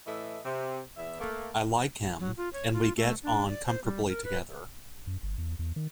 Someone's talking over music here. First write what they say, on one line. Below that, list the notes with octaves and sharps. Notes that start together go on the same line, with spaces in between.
I like him, and we get on comfortably together.
A2 E3 A4 D#5 E5
C3
E2 E5
A3 A#3
F#3
F4
C#5
F4
A3
D4
D5
C5
G3
A#4
B4
F#2
G1
E2
E2
D#3